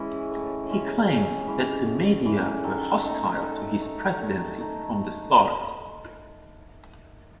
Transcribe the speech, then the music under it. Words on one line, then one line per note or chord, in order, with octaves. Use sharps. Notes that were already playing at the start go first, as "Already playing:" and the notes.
He claimed that the media were hostile to his presidency from the start.
Already playing: E3 G#3 C#4 E4
A2
E3 G#3 C#4
A2 G#4
E3 G#3 C#4
A2
E3 G#3 C#4
D#3 A4
A3 D#4
D#3 A4
A3 D#4
D#3
A3 D#4